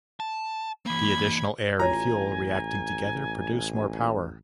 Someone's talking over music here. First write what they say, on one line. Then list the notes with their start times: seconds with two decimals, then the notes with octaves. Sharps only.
The additional air and fuel reacting together produce more power.
0.20 A5
0.86 E3 A#3 B5 G#6
1.80 A1 F4 F#4 C#5 G#5 A#5